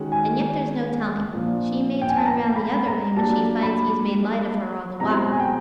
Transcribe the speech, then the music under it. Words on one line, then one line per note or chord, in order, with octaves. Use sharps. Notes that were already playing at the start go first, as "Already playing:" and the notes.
And yet there's no telling--she may turn round the other way, when she finds he's made light of her all the while.
Already playing: D#3 G#3 C#4 F#4
G#5
A#2 F3 A#3 D4
G5
G#5
A5
A#5
B5
A#5
F#3 A#3 D4 G4 A5
B5
B2 G#3 C4 E4 G4 A#5
G#5
G5